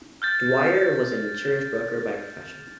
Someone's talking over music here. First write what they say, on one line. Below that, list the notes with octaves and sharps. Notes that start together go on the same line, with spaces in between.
Dwyer was an insurance broker by profession.
F6 G6 A6